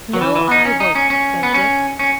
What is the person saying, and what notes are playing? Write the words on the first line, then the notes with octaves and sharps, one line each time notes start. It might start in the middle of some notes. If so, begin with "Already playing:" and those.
"No, I won't," said Dick.
F#3
E3
E3
D#4
C#4
D#4
C#4
C#4
B3
C#4
C#4